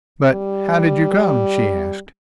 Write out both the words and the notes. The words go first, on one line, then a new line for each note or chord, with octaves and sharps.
"But how did you come?" she asked.
G3